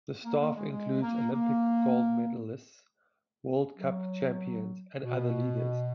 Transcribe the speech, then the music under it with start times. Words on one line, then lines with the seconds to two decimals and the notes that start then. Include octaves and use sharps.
The staff includes Olympic gold medalists, World Cup champions and other leaders.
0.24 A#3
0.40 A#3
0.55 G#3
0.71 G#3
1.01 A#3
1.33 A#3
3.77 F#3
5.00 B2